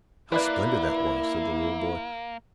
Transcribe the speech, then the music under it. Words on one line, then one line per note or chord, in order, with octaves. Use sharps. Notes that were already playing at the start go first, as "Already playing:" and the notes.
"How splendid that was!" said the little boy.
A#3 E4 B4 D5 F#6